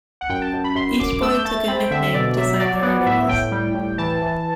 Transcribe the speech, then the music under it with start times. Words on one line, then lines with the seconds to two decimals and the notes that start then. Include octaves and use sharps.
Each boy took a nickname to sign their articles.
0.21 F#5
0.30 F#2 G5
0.42 A5
0.53 F#2
0.64 B5
0.75 F#2 C6
0.99 F#2 D6
1.17 D6
1.21 A3 E6
1.34 G6
1.45 A3 A6
1.57 A6
1.68 C4 B5
1.80 G5
1.91 D3 E5
2.03 E5
2.14 B2 D5
2.37 F#3 E5
2.60 F#3 D5
2.83 B3 D5
3.06 A2 E5
3.29 A2 G5
3.52 G3
3.75 A2
3.98 E3 A5
4.22 E3